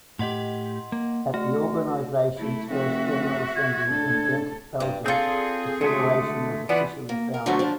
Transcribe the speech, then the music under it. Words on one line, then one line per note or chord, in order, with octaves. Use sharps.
At the organisation's first general assembly, in Ghent, Belgium, the federation was officially founded.
A2 G4 D#5 F#5 C6
A#3
A3 F#4
A3 E4
F1 F#4 E5
G#6
A2 D3 A4
G2 G3
C4 F4 G#4 A4 D5
D3 G#3 A3 F#4
E3 F3 B3 D5
A#3
A#4
D3 F3 F#3 A3 B3 C#4
F3 D4